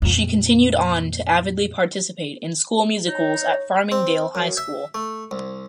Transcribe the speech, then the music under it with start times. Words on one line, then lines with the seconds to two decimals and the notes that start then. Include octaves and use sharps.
She continued on to avidly participate in school musicals at Farmingdale High School.
0.02 F2 A#2
3.08 D#4 C#5
3.92 C4
4.35 F#2
4.57 E5
4.95 A3
5.31 C2